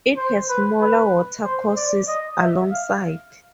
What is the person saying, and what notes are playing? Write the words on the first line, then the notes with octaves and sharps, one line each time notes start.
It has smaller watercourses alongside.
C5
B4
B4
C5
D5
D#5
E5
F5